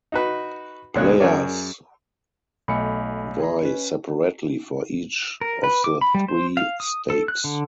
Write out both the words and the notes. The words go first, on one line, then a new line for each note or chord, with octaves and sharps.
Players vie separately for each of the three stakes.
D#4 F#4 B4
D2 B2 C#5 F#6
F#2 G#4 A#4 C#5 D5
B1 A3 D#5 G#5 B5 C#7
G#4 A#5
C#4 B4
A#4
B4
D6
B5
G3
C5
F5
D#6
A4
F#6
D3